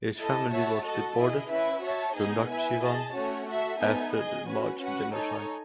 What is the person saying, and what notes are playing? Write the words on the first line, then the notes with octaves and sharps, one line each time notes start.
His family was deported to Nakhchivan after the March genocide.
E4 A4 D#5 A5
F#4 C#5 E5 A5
F#4 A4 D#5 A5
E4 G#4 D#5
C#4 E4 B4 E5
F#4 C#5 E5 A5
B3 D#4 G#4 D#5 G#5
E4 B4 E5 G#5
G#4 D#5 A5
A3 C#4 F#4 C#5
F#4 A4 E5
B3 D#4 A4 E5 G#5
G#4 D#5 G#5
C#4 F#4 B4
C#4 F#4 B4 F#5
D#4 A4 C#5 G#5